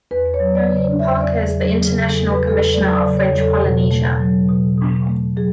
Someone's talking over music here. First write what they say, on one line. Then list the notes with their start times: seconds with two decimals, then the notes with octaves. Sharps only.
Noelline Parker is the International Commissioner of French Polynesia.
0.11 E2 B4
0.34 C#5
0.40 F#3
0.55 D5
0.70 C#3
0.77 D5
0.99 E2 E5
1.21 D5
1.29 E2
1.43 G#4
1.58 F#3
1.64 G#4
1.86 C#3 G#4
2.08 A4
2.15 E2
2.31 B4
2.45 E2 A4
2.52 B4
2.74 F#3 D5
2.95 D5
3.03 C#3
3.17 C#5
3.32 E2
3.39 A4
3.62 B2
3.91 A3
4.19 F#3
4.49 B2
4.78 B2
5.07 A3
5.36 F#3 G#4